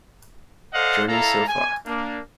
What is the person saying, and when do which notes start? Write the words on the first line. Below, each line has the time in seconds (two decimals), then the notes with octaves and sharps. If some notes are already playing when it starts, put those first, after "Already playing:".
"Journey So Far".
0.74 A4 C5 D5 D#5 F5 F#5
1.08 E4 A4 D5 F5 A#5
1.48 G#5
1.87 A#3 D4